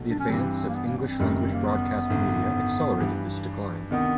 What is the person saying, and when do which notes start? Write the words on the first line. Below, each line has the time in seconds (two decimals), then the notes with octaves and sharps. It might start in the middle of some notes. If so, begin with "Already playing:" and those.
The advance of English-language broadcast media accelerated this decline.
Already playing: B1 B2 F#3 A3
0.10 D4
0.19 C#4
0.29 G2 E3 G3 C4
0.69 A#3
0.75 B3
0.86 A#3
0.97 B3
1.08 C4
1.20 F#1 F#2 D#3 G3
1.53 A#3
1.65 B3
2.10 G#1 F#2 D3
3.00 G2 E3 G3
3.90 D2 C3 D#3 B3